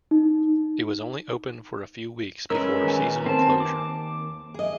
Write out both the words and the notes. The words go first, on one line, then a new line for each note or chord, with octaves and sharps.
It was only open for a few weeks before seasonal closure.
D#4
G#3 C#4 A#4 B4 E6
D#2 G#5
C4 A5
D6
G#4 D#5